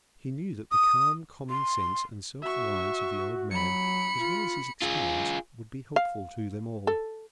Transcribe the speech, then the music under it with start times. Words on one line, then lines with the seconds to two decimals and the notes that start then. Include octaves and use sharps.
He knew that the calm common sense and self-reliance of the old man, as well as his experience, would be helpful to them all.
0.71 D#6
1.50 C6
2.43 F#4 E5 C#6
3.51 F#3 B5 C#7
4.20 F4
4.82 F4 G#4
5.96 F5
6.87 A4